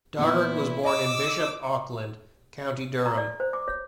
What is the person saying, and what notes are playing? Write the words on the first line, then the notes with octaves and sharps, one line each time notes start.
Doggart was born in Bishop Auckland, County Durham.
A#2 E3 B3 E4
D#5 D6 E6
A#5
D5
C5
D6
C#5